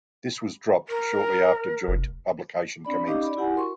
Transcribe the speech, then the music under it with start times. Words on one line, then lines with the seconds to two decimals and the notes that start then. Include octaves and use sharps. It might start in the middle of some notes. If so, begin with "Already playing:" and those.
This was dropped shortly after joint publication commenced.
0.88 A#4
1.88 F1
2.85 C4 D4 D5 B5
3.07 C#4 D#4 G4 D#5 F5 D6
3.23 D5 B5
3.37 E4 G4 F#5 G#5
3.54 F#4 A#4 C6 C#6